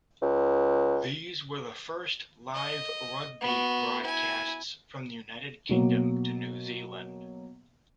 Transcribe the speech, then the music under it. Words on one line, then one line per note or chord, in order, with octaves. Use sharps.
These were the first live rugby broadcasts from the United Kingdom to New Zealand.
C#2
D#5
B3 F#4
E4 G#5
B2 F#3 A#3